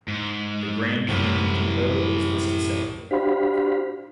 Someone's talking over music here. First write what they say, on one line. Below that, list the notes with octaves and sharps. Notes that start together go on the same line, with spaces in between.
The Grand Canyon Depot is listed separately.
G#2
C2 F#2 A2 E3 B6
D4 F#4 G4 C5 F5 B5